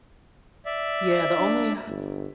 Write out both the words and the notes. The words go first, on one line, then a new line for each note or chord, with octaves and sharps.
Yeah the only
D5 E5
D4
G1